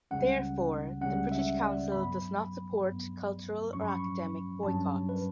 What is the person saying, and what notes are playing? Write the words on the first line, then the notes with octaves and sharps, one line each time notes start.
Therefore the British Council does not support cultural or academic boycotts.
C#2 C#3 G3 C#4 F#5
C#2 C#3 G3 C#4 F#5
E5
D5
G2 F#3 B3 B5
G2 F#3 B3
G2 F#3 C#4 C#6
B5
C#6
G2 F#3 C#4 A5
B4